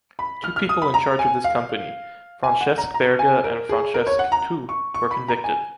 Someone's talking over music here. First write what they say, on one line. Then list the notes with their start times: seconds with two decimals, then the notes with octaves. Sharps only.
Two people in charge of this company, Francesc Berga and Francesc Tous, were convicted.
0.19 B5
0.44 F6
0.56 F6
0.69 D#6
0.82 B5
0.94 A#5
1.19 G#5
1.44 F5
2.44 G#5
2.61 F#5
2.78 A#5
2.94 A#5
3.19 G#5
3.44 A#4
3.69 G#4
3.94 A#4
4.07 C#5
4.19 F#5
4.32 A#5
4.69 C#6
4.94 C#6
5.11 B5
5.28 A#5
5.44 G#5